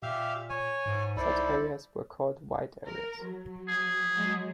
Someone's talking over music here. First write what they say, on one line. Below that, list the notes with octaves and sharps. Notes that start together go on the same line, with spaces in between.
Such areas were called 'white areas'.
A#2 G4 E5 F5
C#5 G#5
G#2
C2 D#4 E4 A4 C5 D5
A#4
F#3
G#4
F#3 G#3